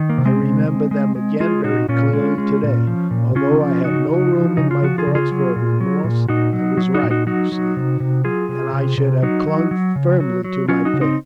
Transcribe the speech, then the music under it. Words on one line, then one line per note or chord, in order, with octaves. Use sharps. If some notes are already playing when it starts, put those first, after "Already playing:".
I remember them again very clearly to-day, although I have no room in my thoughts for remorse. I was right, you see, and I should have clung firmly to my faith.
Already playing: D#3
A#3
C3
G#3 C4
C3
G#3
G#3
G#3
G#3 F4 G#4
A#2 D#4 F#4
A#2 C#4 F4
G#3
G#3
A#2
F3
A#2
C#3 C#4 F4
F3
C#3 D#4 F#4
C#3
F3
C#3 D#4
F4
F3 F#4
F4 G#4
C#3
F4 G#4
F#3
A#2
F#3
A#2
A#2 D#4 F#4
F#3
F#3
D#4 F#4
A#2
D#4 F#4
F#3 D#4 F#4
F#3
C3
C3
F#3 F4 G#4
C3
C3
C3
F#3 D#4 F#4
F#3
F#3
C#3
F#3
F#3
F#3 C#4 F4
D#4 F#4
C#3
C4 D#4